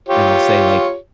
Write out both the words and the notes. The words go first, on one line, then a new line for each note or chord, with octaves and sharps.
and I'll say, like,
F4 G4 C#5